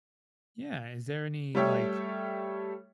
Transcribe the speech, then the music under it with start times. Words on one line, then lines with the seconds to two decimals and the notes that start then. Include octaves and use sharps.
Yeah, is there any, like,
1.55 G3 A3 A4 C#5 E5 G5